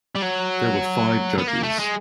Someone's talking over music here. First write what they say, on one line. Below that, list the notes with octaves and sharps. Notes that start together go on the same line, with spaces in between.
There were five judges.
G3
F#3
B3
A#3
A3
G#3